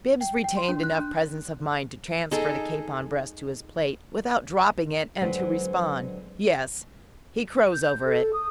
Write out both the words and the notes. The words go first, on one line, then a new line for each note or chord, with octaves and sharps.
Bibbs retained enough presence of mind to transfer the capon breast to his plate without dropping it and to respond, "Yes--he crows over it."
G5
G5
C6
D4
F#6
D4
D#4 G#4 A4
D3 F#3 G#3 C4 B4 C5
G6
A4
D#6